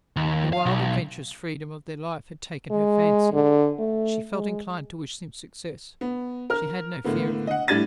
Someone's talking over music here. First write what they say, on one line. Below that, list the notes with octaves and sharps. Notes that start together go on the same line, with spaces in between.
The wild adventurous freedom of their life had taken her fancy; she felt inclined to wish them success; she had no fear of them.
D#2
F5
B1
G#3
D3
A3
G#3
B3
A#4 F6
A2 D3 A#3 B3
D#5 F#5
A2 G3 D4 G#6 A6 D#7